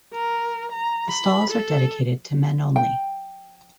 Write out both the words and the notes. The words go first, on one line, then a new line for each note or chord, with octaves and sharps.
The stalls are dedicated to men only.
A#4
A#5
B5
A4
G5